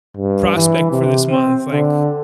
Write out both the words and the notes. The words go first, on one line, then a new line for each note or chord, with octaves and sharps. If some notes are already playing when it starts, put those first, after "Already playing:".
prospect for this month, like,
G2
E3
C3
C4
D3